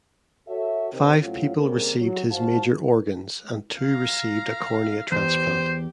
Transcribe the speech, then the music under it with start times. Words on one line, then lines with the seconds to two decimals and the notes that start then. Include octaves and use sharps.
Five people received his major organs, and two received a cornea transplant.
0.48 F#4 A4 C#5 E5
0.92 C3 D#3 C4
1.22 A2 C3 F#3 C#4 F4
1.56 C#3 G3 A#3 C4 G#4 A#4
2.00 F#3
2.32 G#1 F#4 C5 F5 A5
3.80 F5 A#5
5.12 E2 G4 C5